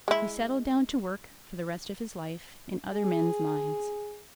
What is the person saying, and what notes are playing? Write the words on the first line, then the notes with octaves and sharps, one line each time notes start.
He settled down to work for the rest of his life in other men's mines.
G#3 E4
G#4